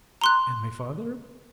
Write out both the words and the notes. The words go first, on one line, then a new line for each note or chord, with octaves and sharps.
"And my father?"
A#5 C6 F#6